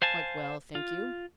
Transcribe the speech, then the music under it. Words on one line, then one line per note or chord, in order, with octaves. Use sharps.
"Quite well, thank you."
C5 F5 G#5 A5
F4